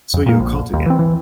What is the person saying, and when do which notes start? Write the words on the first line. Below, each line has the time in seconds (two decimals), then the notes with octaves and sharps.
So you are caught again!
0.14 F2
0.26 A#2 A#3
0.40 A#1
0.74 D#2
0.86 E3 C4
0.99 E3